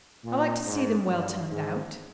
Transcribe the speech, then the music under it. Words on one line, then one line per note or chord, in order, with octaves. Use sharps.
"I like to see them well turned out."
A#2
G#2
G2
G#2